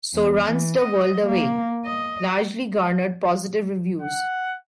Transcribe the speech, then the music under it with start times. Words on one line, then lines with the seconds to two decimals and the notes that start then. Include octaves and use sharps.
"So Runs the World Away" largely garnered positive reviews.
0.13 E2
0.46 E3
0.78 D#5
1.26 A#3
1.85 D#5
4.02 F#5